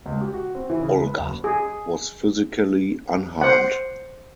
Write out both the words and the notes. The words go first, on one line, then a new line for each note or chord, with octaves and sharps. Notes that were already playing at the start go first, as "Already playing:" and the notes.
Olga was physically unharmed.
C#2
G4
F#4
C4
E3
C#3
C#2
B4
F#1
G#4
C5 F#5